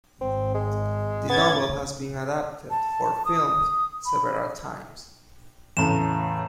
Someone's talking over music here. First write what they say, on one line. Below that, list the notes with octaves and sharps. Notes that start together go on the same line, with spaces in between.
The novel has been adapted for film several times.
G#1 C4
G#3
B3 C#4 G#6 A6
A5
D#6
B5
E2 A2 C#3 A5 A#5 E7